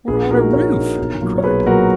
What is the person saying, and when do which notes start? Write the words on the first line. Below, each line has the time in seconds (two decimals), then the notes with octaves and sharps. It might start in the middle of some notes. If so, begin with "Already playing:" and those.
"We're on a roof!" he cried.
0.08 A#1 G#4
0.31 A#2 A#3 D#4 F#4 A#4
0.53 A#1 A#4 C#5
0.76 A#2 A#3 D#4
0.98 B1
1.21 A#2 F#3 A#3
1.38 C#5
1.44 B1 G#4 B4
1.66 A#2 F#3 A#3 F#4 A#4